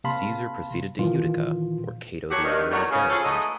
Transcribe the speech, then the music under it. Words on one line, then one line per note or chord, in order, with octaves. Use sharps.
Caesar proceeded to Utica, where Cato the Younger was garrisoned.
C3 A#3 F5 A5 B5 C6
A#2 D#3 E3 F4
D#3 F#3 G4 A4 C#5 F#5
G2 D#3
E2 D#3 F#3 G3 A3 C#5
C#3
C#3 F3 C#4 F#4 G#4 A4
G#3 A3 B3 D#4 D#5